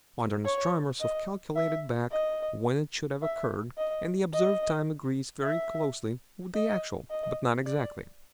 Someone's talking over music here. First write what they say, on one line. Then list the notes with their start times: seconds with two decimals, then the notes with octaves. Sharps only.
Modern astronomers have calculated back when it should have occurred, and the observed time agrees very closely with the actual, but not exactly.
0.45 C#5
1.00 D#5
1.56 E5
2.11 D#5
3.22 E5
3.78 D#5
4.33 D#5
5.44 E5
6.55 D#5
7.10 D#5
7.66 D5